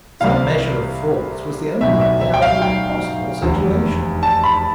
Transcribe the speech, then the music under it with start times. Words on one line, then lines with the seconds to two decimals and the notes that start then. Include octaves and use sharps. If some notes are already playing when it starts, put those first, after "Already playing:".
Some measure of force was the only way out of an impossible situation.
0.20 C2 C3 E3 F5
1.81 B1 B2 E5
2.01 E5
2.21 E5
2.34 G5
2.42 F5
2.62 G5
3.42 F1 E2 D3
4.23 A5
4.44 B5